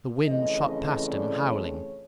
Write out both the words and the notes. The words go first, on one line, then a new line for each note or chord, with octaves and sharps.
The wind shot past him howling.
F2 C#3 E3 A3 D#5
D#5
D5
C#5